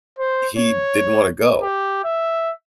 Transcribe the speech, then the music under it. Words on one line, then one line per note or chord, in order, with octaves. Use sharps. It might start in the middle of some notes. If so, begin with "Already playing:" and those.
he didn't wanna go.
C5
C#5
G4
E5